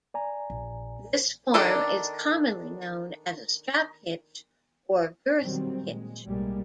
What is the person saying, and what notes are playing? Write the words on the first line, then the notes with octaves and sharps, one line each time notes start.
This form is commonly known as a strap hitch or girth hitch.
D5 G#5 A#5
A#1
D#3 D4 A4 D5
B2 D#3 F#3 G3 C4
A#2 G#3
B1 A2 G3 G#3 A#3